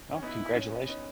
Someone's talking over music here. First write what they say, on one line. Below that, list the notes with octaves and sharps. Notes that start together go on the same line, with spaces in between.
Oh, congratulations.
C#4
B3 D#4 E4
C#4
B3 D#4